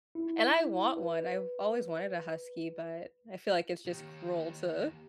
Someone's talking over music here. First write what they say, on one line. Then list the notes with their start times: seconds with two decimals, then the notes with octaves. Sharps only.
and I want one, I've always wanted a husky, but I feel like it's just cruel to
0.15 E4
0.97 B4
3.85 D#2 D#3 G4